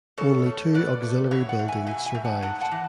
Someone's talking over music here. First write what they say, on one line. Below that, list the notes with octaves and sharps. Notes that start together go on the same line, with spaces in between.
Only two auxiliary buildings survived.
B2 A4 C#5
A3
B2 B4 D5
A3
B2 C#5 E5
D5 F#5
A3
E5 G#5
B2 E5 G#5
E5 G#5
A3
F#5 A5
G#2 F#5 A5
F#5 A5
E3